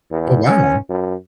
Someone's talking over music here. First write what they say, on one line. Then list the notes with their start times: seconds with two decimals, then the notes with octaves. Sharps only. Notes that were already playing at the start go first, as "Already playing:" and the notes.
Oh, wow.
0.11 E2
0.47 C#4
0.89 F#2